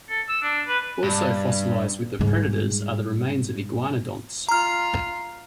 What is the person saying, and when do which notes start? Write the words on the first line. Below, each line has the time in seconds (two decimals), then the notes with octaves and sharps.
Also fossilized with the predators are the remains of iguanodonts.
0.10 A4
0.29 E6
0.42 D4
0.67 B4
1.04 G2
2.19 G#2 G3
4.49 F4 A#5 F6